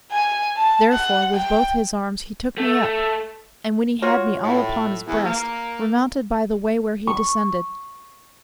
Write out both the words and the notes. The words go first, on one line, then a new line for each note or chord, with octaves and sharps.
Therefore with both his arms he took me up, And when he had me all upon his breast, Remounted by the way where he descended.
G#5
A5
F#5
G5
A3
F4 F#4 C#5
A2
E2
A#3
C#6